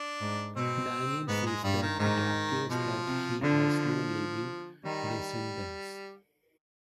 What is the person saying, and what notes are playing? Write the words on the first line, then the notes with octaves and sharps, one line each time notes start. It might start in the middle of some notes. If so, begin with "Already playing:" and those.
Daniell says that it appears that he has no living descendants.
Already playing: D4
G#2
B2 C4
G#2 B3
G#3
G2 G3
D#3
G#2 D#3
B2 F3
C3
D3 F3
D#3 G3